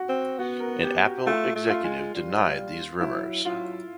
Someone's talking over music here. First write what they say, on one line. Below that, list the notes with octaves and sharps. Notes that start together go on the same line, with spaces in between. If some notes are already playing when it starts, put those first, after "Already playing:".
An Apple executive denied these rumors.
Already playing: F#4
C4
B3 F#4
A#4
G4
F#4
A3 F4
A3
F4
G#3
G3
F#3 E4
F#3 F4